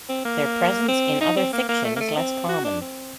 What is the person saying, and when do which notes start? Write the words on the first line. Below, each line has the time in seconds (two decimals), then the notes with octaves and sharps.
Their presence in other fiction is less common.
0.09 C4
0.25 A#3
0.88 C4
1.21 D#4
1.37 C4
1.53 A#3
1.69 A#3
1.85 A3
1.96 A#3
2.00 A3
2.17 C4
2.49 F#4
2.64 D4
2.81 C4